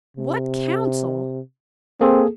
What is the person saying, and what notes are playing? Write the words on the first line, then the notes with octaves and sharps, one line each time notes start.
"What council?"
C3
A#3 C4 G#4 A4